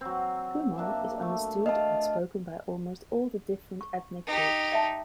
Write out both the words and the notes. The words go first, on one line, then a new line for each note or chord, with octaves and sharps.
Kuman is understood and spoken by almost all the different ethnic groups.
F#3 C4
A#3 D4 E5
A3
D#5 F5 A5
C#6
D#4 G4
D#5 E5 A5